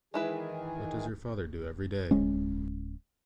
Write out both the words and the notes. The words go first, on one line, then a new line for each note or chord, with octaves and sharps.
What does your father do every day?
D#3 E3 G#3 E4 G#4 B4
D1 G#3 C#4